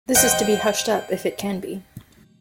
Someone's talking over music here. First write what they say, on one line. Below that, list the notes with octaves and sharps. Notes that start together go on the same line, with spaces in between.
This is to be hushed up if it can be.
C5 D#5 F#5 G5